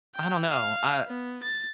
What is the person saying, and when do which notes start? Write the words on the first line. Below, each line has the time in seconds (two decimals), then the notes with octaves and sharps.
I don't know. I
0.15 G5
0.49 F5
1.07 B3
1.43 A6